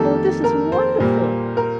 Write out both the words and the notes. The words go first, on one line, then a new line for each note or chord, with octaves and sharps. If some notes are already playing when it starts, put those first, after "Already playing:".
Oh, this is wonderful!
Already playing: F2 D#3 G3 A#3 A4
A#4
C5
A#2 G3 A#3
A#4